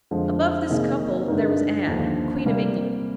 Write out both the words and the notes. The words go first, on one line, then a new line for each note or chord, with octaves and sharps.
Above this couple there was Anne, Queen of England.
F2 D3 F3 G#3
C3 D#3 A#3 D#4 G#4
G2 D3 G#3 D#4 A#4
D#2 D3 F3
C3 G3 A#3